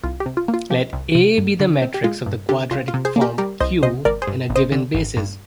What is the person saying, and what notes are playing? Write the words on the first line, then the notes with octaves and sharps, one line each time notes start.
Let "A" be the matrix of the quadratic form "q" in a given basis.
C2 F4
G4
C3
F4
A#3
F4
F3 G4
C2
C3
G2
D3
C4
G4
G#3 F4
G2
D3 G4
C2 F4
F4
C3
G#4 C5
A#3
G4 A#4
G3 G4 A#4
C2 C5 D#5
C3 C5 D#5
G#1 A#4 D5
G#4 C5
G2
G#1
C5 D#5
D3
G#1
G2